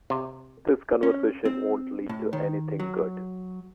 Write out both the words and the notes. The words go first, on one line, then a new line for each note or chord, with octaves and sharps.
This conversation won’t lead to anything good.
C3
C#4
C4
A2
D#3
F#3